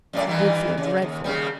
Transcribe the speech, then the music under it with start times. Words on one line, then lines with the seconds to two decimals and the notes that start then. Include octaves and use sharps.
I did feel dreadful.
0.13 F#2 A2 D5
0.27 G2 D#3 E3
0.77 C#3
1.02 D#2
1.24 D#2 C#3 G3